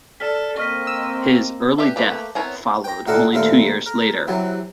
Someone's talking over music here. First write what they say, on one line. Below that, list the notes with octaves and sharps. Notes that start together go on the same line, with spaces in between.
His early death followed only two years later.
A4 D5 F6 B6
A#3 C4 D#5 C#6 F6 B6
E6
D4 G4 B4 E5
A3 A#3 G4 B4
B3 C4 E4 A#4 C#5
G5 A#5
A2 D3 F#4 A4 A#4 A5
D#2 A#2 A3 C4 A#4
A#4
C3 E3 F#3